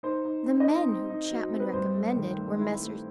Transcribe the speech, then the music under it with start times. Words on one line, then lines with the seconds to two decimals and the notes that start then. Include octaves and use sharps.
The men whom Chapman recommended were Messrs.
0.03 D#4 C5
0.25 D#4
0.46 C4
0.60 D#5
0.68 D#4
0.89 C4
1.10 D#4
1.31 F#3
1.52 C4
1.60 B4
1.73 G2 C5
1.95 A3
2.16 D#3
2.38 A3
2.58 E4
2.80 A3